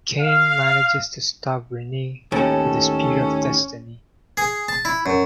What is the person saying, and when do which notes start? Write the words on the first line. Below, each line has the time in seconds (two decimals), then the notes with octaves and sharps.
Cain manages to stab Renee with the Spear of Destiny.
0.20 F5
2.32 D#2 A2 C#4 A4
4.37 G#4
4.68 A5
4.85 E4
5.06 F#2